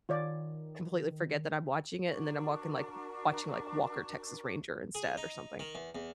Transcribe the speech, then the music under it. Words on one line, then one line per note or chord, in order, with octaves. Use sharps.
completely forget that I'm watching it and then I'm walking like watching like Walker, Texas Ranger instead or something,
D#3 F4 C#5 D5
D4 F#4 A#4 C#6
G#4
D#4
D#3
E2
E2